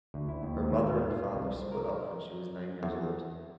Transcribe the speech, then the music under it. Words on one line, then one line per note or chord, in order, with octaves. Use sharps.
Her mother and father split up when she was nine years old.
D2
E4
D#2
D#2
E5
G#2
F4
C2
C5
A#4
A#4
E2